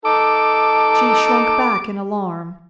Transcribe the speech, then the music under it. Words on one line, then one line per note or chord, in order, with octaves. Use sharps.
She shrunk back in alarm.
D#4 A4 D6